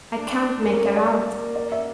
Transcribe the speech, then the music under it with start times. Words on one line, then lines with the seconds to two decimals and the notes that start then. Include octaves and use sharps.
I can't make her out.
0.15 D4
0.61 C#4 A#4
0.74 A#4
0.85 D5
0.97 D5
1.09 A#3
1.56 D5
1.72 E5